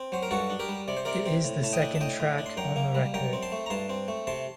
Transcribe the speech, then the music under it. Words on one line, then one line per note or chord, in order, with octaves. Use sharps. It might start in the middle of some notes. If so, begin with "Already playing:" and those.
It is the second track on the record.
Already playing: C4
F#3 C5
A#4
G2 F#4 A4
D4
G4 A#4
G3
C3 D5
C5
C3 A#4 D5
C4
A2
A2 A5
D#5 G5
D4
A5
A2 D#5 G5
A2
D4
C6
F#2 G5 A#5
A#3
G3
F#2 G5 A#5
C4
A5 C6
A3
A#5
G2 A5 C6
C4
A3
C3 A5 C6